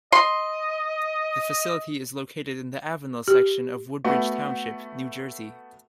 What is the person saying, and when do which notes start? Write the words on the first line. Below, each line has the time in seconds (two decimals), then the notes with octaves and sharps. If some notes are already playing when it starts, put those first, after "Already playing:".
The facility is located in the Avenel section of Woodbridge Township, New Jersey.
0.12 D#5 C6
3.28 G4
4.05 A3 B3 F#4